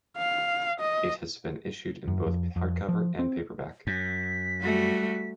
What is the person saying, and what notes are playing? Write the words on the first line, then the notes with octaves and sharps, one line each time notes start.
It has been issued in both hardcover and paperback.
F5
D#5
F#2
F2
F2
F3
C4
F#2 B6
G3 A3 F#4